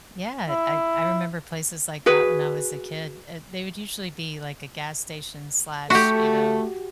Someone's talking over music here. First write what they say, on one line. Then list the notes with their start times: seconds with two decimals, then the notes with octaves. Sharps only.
Yeah, I I remember places like that when I was a kid, uh, they would usually be like a gas station slash, you know,
0.49 E4
2.06 F#4 G#4 B4
5.90 A3 F#4 G4